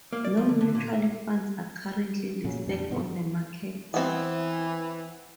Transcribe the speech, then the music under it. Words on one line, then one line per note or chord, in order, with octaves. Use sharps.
No mutual funds are currently listed on the market.
A#3
D5
F3
D3
D3
A#2
E5
A#2 C#3 F#3
F2 G3 D4
G2 B2 D#3 B3
E3 B3 C4